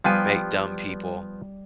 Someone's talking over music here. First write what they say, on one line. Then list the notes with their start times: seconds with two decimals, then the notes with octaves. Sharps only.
make dumb people,
0.04 F3 G3 B3 F5 G5 G#5